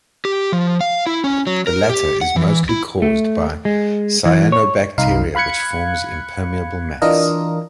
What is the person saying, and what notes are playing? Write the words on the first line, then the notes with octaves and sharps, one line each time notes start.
The latter is mostly caused by cyanobacteria which forms impermeable mats.
G4
F3
F5
E4
C#4
F#3
A#4
G4
F#5
E3
E4
A3
G#3
E3
C#5
C2 D#4 F5
F5 B5 F#6 G#6 C#7
E3 D4 F4 A#4 D#5